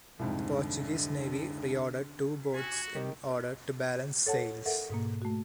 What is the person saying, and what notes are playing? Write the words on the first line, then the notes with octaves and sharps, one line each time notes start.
The Portuguese Navy reordered two boats in order to balance sales.
C2 F2 G#2 D3
F#4 G#5
D#3 G3
A4 C#5 F#5 A5
A4 A#4 E5 F#5
G#2 B2 A#3
A3 F#4